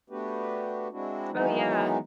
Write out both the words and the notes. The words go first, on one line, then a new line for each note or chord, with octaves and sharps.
Oh, yeah.
A3 B3 D4 F#4 G4 B4
G#3 C4 D4 E4 F#4
D#3 E3 F#3 G#3 B3 D#4